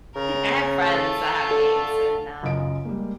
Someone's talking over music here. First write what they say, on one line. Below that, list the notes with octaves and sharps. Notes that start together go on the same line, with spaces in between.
I have friends that have maids, and, um
C#3 A#4
A3 F4
D3 A4
F#2 C#3 F4 D#5 D7
G3 G#3 A#3